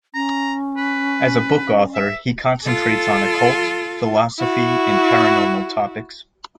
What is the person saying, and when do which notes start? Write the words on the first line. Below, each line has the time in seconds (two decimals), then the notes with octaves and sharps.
As a book author he concentrates on occult, philosophy and paranormal topics.
0.15 C#4 A#5
0.77 B4
1.95 E5
2.64 F4 A4
4.38 E4 F#4